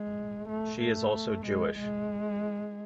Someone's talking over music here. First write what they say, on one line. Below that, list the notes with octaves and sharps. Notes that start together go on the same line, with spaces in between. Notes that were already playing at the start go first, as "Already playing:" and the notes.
She is also Jewish.
Already playing: G#3
A3
A3
G#3
G#3